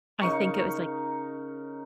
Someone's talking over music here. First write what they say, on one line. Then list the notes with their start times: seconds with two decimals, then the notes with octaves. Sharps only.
I think it was, like
0.21 C#3 D#4 A#4 C#6